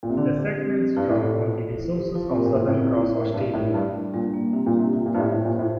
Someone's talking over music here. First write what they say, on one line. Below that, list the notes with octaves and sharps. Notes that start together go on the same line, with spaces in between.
The segments draw on the resources of Southern Cross Austereo.
A#2
C3
D3 D4
G4
C4
G4
G2 E4
A2
A4
A2
F4
C5
E4
G4
F3 F4
C3
A#2 A#4
A#2
A2 C4
A2
E4
C3
A#2 E4
A#4
A2
G2 A3
A2 E4
G2 G3
D4
A#2 G3
A#3
C3 D4
A#2
G4
C3
C3 F4
A#2
G2 C5
A2
A2 F4
A#2
C5
A2